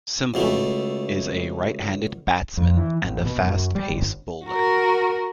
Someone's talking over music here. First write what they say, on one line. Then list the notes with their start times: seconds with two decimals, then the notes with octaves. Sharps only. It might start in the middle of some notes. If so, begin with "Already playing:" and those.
Semple is a right-handed batsman and a fast pace bowler.
0.34 C#2 B2 A3
2.57 F2
2.77 E3
3.03 A1
3.26 B2
3.43 F#2
3.75 G3
3.90 G1
4.45 F#4 A#4